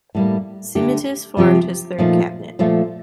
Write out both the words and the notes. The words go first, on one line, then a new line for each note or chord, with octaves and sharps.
Simitis formed his third cabinet.
A2 G3 A#3
D3 A3 D4 G4
C3 F3 C4 G4
A#2 F3 A3 D#4
A#2 F3 A3